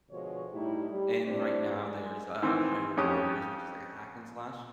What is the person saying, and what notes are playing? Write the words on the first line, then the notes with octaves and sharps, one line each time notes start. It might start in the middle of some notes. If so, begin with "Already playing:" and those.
and right now, there's, uh, Hyrule Warriors, which is, like, a hack and slash.
B2 D3 F3 G#3 C#5
A2 G3 D#4 E4 G4
G3
E3 G3 C4 D4 D5
G#3
D#3 E3 C4
F2 C#4 G4 D#6